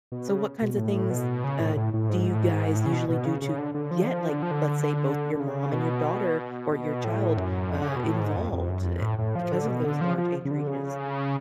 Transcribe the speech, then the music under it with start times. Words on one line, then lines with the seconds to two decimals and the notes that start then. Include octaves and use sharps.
So, what kinds of things, uh, do you guys usually do to get, like, let's say, both your mom and your daughter or your child, uh, involved, eh because of those large age ranges.
0.12 B2
0.28 C#3
0.62 B2
0.78 A2
1.10 B2
1.44 C#3
1.60 A2
1.77 A2
1.94 A2
2.09 G#2
2.35 A2
2.43 G#2
2.76 A2
2.86 C#3
2.92 B2
3.09 B2
3.25 C#3
3.42 C#3
3.58 D3
3.74 D3
3.91 F3
4.02 D3
4.07 F3
4.30 D3
4.42 F3
4.51 D3
5.35 D3
5.40 C#3
5.72 B2
6.71 B2
7.04 A2
7.37 F#2
7.70 F2
7.82 D3
7.89 C#3
7.96 B2
8.04 A2
8.20 G#2
8.36 F2
8.53 F2
8.69 F#2
8.86 F2
9.02 A2
9.19 A2
9.35 F3
9.52 D3
9.68 B2
9.85 D3
10.01 F3
10.17 F3
10.45 C#3
10.51 D3
10.67 C#3